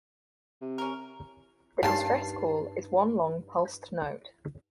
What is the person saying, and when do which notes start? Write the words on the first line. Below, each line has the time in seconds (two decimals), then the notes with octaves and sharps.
The distress call is one long pulsed note.
0.61 C3
0.78 C#4 A#4
1.83 G2 G3 A#3 C#4 D#4 G4 A5 C7